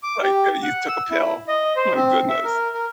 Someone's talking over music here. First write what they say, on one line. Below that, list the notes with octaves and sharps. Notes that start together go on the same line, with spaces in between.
Like, uh, you took a pill. My goodness.
D6
G4
F#5
E6
E4
D#5
C5
C4
E5
A#4
A#4